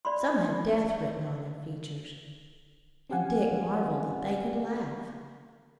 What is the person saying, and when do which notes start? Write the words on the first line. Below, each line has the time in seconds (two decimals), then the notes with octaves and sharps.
Some had death written on their features, and Dick marvelled that they could laugh.
0.05 D5 B5 C6
3.10 C4 C#4 G4 F5 F#5 G#5